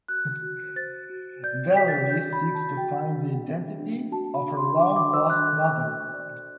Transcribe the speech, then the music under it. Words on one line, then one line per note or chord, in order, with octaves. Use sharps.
Valerie seeks to find the identity of her long lost mother.
F#4 F#6
F#4
C5 A6
F#4
D5 G6
F#4 B6
A6
B6
F#4 G6
B5
F#4
A5
F#4 G5
D4
F#4
D4
F#4 A5
B5
D4
C6
D4 D6
D6
C5 E6
F#6
A4 F#6
F#4
D5